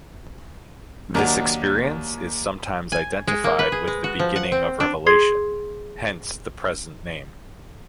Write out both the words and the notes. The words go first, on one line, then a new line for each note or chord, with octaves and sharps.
This experience is sometimes identified with the beginning of revelation; hence the present name.
D#2 F#3 D4 A#4 F5 F#5
G#5
G#3
A#3
B4
G#4
G#3
F#4
F3
F#5
C4
D4
G#4 C6 G#6 C7